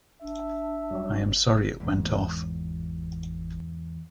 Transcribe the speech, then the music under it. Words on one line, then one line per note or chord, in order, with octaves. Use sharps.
I am sorry it went off.
D4 E5
F#2 F#3 G3
E2 G#2